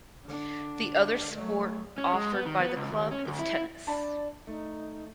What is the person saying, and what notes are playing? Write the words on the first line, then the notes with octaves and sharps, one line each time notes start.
The other sport offered by the club is tennis.
D3 D4
F#3 A3
C#4
G#3
B3
D#3
B3
C#2
D#2
C#4
D2
E4
D4 D5 A5 B5
A3 D#4